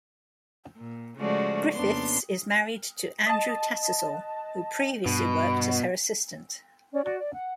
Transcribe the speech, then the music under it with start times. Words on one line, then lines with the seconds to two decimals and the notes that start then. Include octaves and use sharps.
Griffiths is married to Andrew Tattersall, who previously worked as her assistant.
0.77 A#2
1.18 C#3 F3 G#3 A3 F#4 D5
1.75 F2 C#3 A#3 B3 D4 C6
3.26 D#5 A5
5.06 G2 B2
6.92 C#4 D5
7.04 F#4 D5
7.19 D5
7.34 F#5